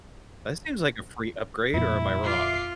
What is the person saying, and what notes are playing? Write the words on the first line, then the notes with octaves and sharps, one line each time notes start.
That seems like a free upgrade, or am I wrong?
F2 A#2 E4
F4 E5 D6 C7